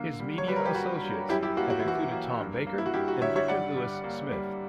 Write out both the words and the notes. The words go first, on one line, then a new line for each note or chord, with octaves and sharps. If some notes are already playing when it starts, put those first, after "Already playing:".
His media associates have included Tom Baker and Victor Lewis-Smith.
Already playing: D3 A#3
G3
C#5
G3 B4
A#4
G4
G3 F#4
G3
F#2 E4 G4
E4 G4
A#3 F#4
F#4
E4
E3 F#4
A#3
G2
A#3
E4
F#4
G2 E4 G4
F#4
D3 C#5 E5
C#5 E5
G3 D5 F#5
G3
A#3
G3